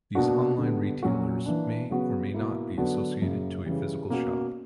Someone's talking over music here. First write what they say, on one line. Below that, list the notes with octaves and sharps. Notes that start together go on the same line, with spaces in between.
These online retailers may or may not be associated to a physical shop.
B2 A#3 D4 F#4
D3 G3 B3
A#2 F#3 C#4 F#4
E3 A#3 D4
C#3 F#3 B3 F#4
B2 A#3 E4
D3 F#3 B3 D4 F#4
F#2 C#3 F#3 A#3
C#3 E3 G3
B2 A#3 C#4 F#4